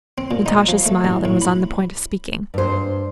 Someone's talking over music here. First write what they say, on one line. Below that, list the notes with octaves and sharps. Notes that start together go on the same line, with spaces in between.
Natasha smiled and was on the point of speaking.
C4
A#2
D#4
F3
A3
A1
A2
B5
G2 C5